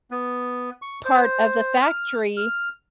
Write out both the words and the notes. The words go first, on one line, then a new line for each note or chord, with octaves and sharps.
part of the factory
B3
C#6
C5
F6
F6